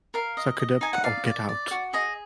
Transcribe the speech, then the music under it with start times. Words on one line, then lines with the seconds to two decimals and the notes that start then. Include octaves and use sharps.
Suck it up, or get out.
0.14 A#4 F5
0.37 D#5
0.59 D#5
0.81 D#4 G#5
0.93 F#5
1.04 D5 F5
1.26 D5
1.49 D5
1.71 F#4
1.93 G#4 D#5